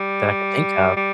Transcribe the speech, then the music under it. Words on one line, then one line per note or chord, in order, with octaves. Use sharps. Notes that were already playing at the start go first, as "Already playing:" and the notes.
that I can think of.
Already playing: G3
G3